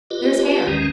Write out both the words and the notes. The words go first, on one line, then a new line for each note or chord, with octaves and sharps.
There's hair.
F4 G4 B4 D#5
D#2 D#3 E3 G#3 C#4 A#5